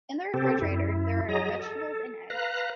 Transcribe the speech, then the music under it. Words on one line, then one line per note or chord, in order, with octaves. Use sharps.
In the refrigerator there are vegetables and eggs.
C3 C4 G4 A4
F#2 E4
F#3 G#4 D#5 A#5
A4
B4 F5 A#5 F#6